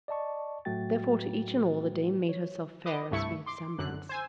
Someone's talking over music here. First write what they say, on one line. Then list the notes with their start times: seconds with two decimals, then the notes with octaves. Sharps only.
Therefore to each and all, the dame made herself fair and sweet of semblance.
0.08 D5 D#5 A5 C#6
0.65 A2 F#3 A3 F#4 G5 A6
2.29 C#5
2.85 B4 D#5 D6
3.11 C2 G2 A3 E4 C#6 C#7
3.46 C6 D6
3.79 F#2 D3 F#6
4.09 C5 G#5 E6